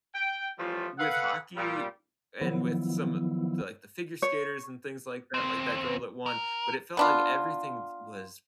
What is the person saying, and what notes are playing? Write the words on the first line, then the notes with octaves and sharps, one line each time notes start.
With hockey and with some of the, like, the figure skaters and things like that, like that girl that won, but it felt like everything t was
G5
E3 F3 G3 A3 C#4 F4
A4 B4 F5 F#5
A#2 G3
D#3 F3 F#3 B3 E4
C#5
D#2 C4
A#4
B3 D4 F4